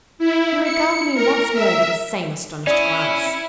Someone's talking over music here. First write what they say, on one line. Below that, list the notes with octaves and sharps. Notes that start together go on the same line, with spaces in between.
He regarded me once more with the same astonished glance.
E4
C#7
A#4
E5
C#4 E4 D5 D#6